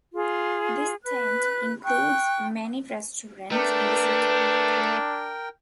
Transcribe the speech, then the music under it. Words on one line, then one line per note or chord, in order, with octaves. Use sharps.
This tent includes many restaurants in the city.
F4 G#4
B4 F#6
G5 C#6 F#6
A3 D4 A#4 B4 G5